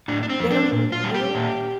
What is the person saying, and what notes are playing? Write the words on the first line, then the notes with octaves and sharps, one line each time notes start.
they don't even realize
A2 D4
D4
C4
F3
D4
A#2
F4
G3
G4
A#2